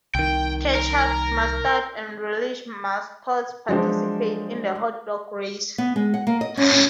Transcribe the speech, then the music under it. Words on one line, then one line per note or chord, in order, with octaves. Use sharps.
Ketchup, Mustard, and Relish mascots participate in the hot dog race.
C2 D#3 G5
A#4
F3 F#3 G#3 D4 C5
B3
G#3
F#5
A#3
D#5
C#4
C#4